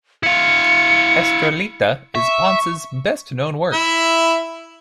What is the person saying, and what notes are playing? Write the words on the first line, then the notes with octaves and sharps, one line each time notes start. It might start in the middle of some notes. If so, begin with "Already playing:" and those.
"Estrellita" is Ponce's best known work.
E4 F5 C#7
E5 C#6
E4 E5